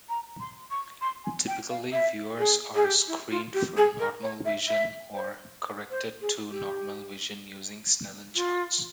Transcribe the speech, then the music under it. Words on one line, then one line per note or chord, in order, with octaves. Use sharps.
Typically, viewers are screened for normal vision or corrected-to-normal vision using Snellen charts.
A#5
C6
C#6
C6
G#5
G5
F5
E5
G#4
G#4
G4
E4
F4
G4
G#4
A#4
C#5
E5
E5
C5
C5
G#4
G4
F4